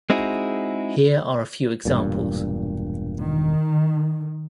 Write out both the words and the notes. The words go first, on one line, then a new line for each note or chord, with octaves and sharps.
Here are a few examples.
G#3 C4 D#4 E4 F#4 G#4
E1 G2 A#2
D#3